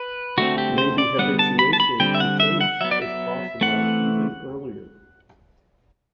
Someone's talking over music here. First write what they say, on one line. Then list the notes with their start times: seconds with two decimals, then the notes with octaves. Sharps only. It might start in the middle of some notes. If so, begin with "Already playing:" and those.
Maybe habituation to taste is possible even earlier.
Already playing: B4
0.38 D3 A3 C4 F#4
0.58 G4
0.78 C5
0.98 D5
1.18 D3 G3 B3 F#5
1.39 A5
1.59 B5
1.73 A5
1.80 B5
2.00 D3 G3 C4 G5
2.15 E5
2.20 F#5
2.40 E5
2.61 F#5
2.81 F#3 B3 E5
2.91 D5
3.02 E5
3.61 E3 A3 C4 F#5